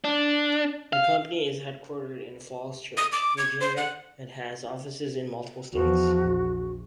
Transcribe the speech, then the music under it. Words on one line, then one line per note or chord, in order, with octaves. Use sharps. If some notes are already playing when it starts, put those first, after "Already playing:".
The company is headquartered in Falls Church, Virginia, and has offices in multiple states.
D4
F5
D#6
D6
G#6
C5
F#5
E2 F3 F#4
A#1